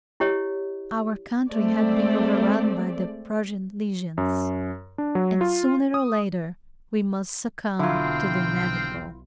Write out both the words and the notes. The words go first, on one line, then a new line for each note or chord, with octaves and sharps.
Our country had been overrun by the Prussian legions, and sooner or later we must succumb to the inevitable.
E4 G4 C#5 D#5
G#3 A3 C4 D5
F#2
D4
F#3
F4
D#6
B1 D3 F#3 C4 E4 F4 F5 G5